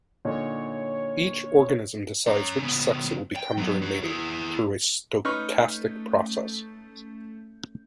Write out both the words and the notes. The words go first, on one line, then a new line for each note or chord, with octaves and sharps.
Each organism "decides" which sex it will become during mating, through a stochastic process.
A#2 D3 D#4 C#5
C#4 A#5
C#3 B3
G5
F#3 B3
C#4 F#4
E4 G#4
A3 C#4 D#4 B4 C#6 F6 G6